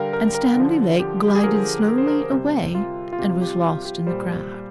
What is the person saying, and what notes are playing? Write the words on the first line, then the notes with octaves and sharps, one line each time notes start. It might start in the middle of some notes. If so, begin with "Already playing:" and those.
And Stanley Lake glided slowly away, and was lost in the crowd.
Already playing: D3 G3 A#4 F5 G5
A#4
A#4
D3 F3
G4
G4
G#4
D3 F3 A#4
A#4
C5
A#4
C3 G3 C5
F4
F4
C3 G3 G4
G4
F4
G4
A#2 G3 C5